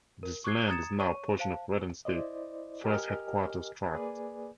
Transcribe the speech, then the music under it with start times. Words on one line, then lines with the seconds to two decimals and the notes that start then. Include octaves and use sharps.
This land is now a portion of Redden State Forest's Headquarters Tract.
0.23 A#4
0.44 C#6 D6 F#6 G#6 C7
0.68 A#5 D#6 G#6 A6 C#7 E7
0.99 C#5 C#6 D#7
1.39 C5 F5 A5
2.05 E4 C5 D5 D#5
2.84 G4 A#4 D#5 G#5 F6
3.94 A#3 G#4 B4 D5 G#5